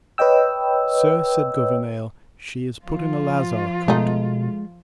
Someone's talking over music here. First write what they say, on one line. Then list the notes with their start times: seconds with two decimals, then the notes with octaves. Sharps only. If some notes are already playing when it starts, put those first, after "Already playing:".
Sir, said Gouvernail, she is put in a lazar-cote.
0.18 B4 C#5 D#5 G5 E6
2.84 F3 F4
3.88 B2 G#3 A3 D#4